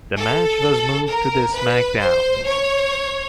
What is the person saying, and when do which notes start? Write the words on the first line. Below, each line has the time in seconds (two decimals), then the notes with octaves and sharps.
The match was moved to the SmackDown!
0.17 A4
1.08 A#4
1.54 B4
2.00 C5
2.46 C#5